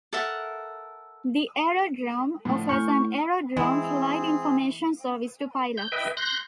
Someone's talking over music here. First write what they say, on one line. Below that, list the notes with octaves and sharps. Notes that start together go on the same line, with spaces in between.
The aerodrome offers an Aerodrome Flight Information Service to pilots.
A4 A#4 E5 F#5
A2 D3 F3
A2 G#5 C#6 F6 G6
E3 G#3 C4 E4 G#4
G6
B4 D#5 E5 G5
C6 F#6 G6 A#6